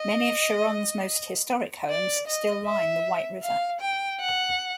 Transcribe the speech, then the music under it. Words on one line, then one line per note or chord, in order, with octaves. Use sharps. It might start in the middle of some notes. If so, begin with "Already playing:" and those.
Many of Sharon's most historic homes still line the White River.
Already playing: D#5
D5
D#5
E5
F5
G5
F#5